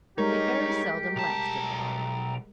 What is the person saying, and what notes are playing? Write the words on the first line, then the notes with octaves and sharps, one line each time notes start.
They very seldom lasted long.
G3 G#3 D#4 G4 A#4 C#5 D#5 C#6
B1 G5 A5 A#5